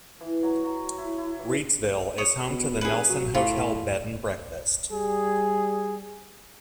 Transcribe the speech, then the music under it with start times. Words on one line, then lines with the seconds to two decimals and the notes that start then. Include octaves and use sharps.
Reidsville is home to the Nelson Hotel Bed and Breakfast.
0.21 E3
0.43 F#3
0.64 F#3
0.98 E4
1.18 E4
1.39 E3
2.18 C#5 D#6
2.49 B2
2.81 F1 G#4 B4
3.09 F#3
3.35 A2 F4
4.90 G3 G#4